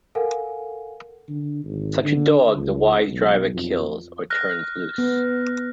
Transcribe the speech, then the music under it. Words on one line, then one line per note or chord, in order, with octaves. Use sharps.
Such a dog the wise driver kills, or turns loose.
A4 A#4 F5 F#5 G#5
D3
G#1
D3
C#2
B1
F2
F6 F#6 A#6
B3